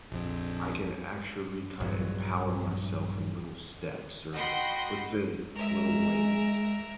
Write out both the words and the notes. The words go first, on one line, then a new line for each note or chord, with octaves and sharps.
I can actually kinda empower myself in little steps, or, let's say, little ways.
A#1 F2
A#1 G2 F#3
F#4 D#5 F#5 G5 B5 C6
G#3 A#4 E5